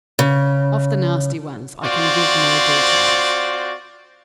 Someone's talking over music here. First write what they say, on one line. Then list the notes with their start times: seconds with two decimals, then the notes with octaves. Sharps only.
Of the nasty ones, I can give no details.
0.19 C#3
1.83 C4 F4 F#4 C5 D5